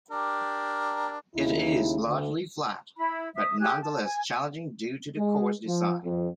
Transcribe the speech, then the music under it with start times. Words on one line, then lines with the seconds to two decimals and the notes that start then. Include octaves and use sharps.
It is largely flat but nonetheless challenging due to the course design.
0.11 D4 G4 A#4
1.36 D#2 C#3 D#4 E4
2.07 D2 D3
2.96 E4 B5
3.35 E5 D#6
3.59 G4 G#4 F#6
3.81 A5
4.04 G#5
5.17 G#3
5.66 F3
6.03 F2